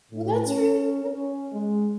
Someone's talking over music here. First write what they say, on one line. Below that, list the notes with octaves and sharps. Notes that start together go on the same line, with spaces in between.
Well, that's really
A2
C#4
C#4
G#3